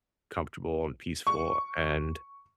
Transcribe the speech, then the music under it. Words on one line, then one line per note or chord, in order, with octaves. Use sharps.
comfortable and peaceful, and
C#6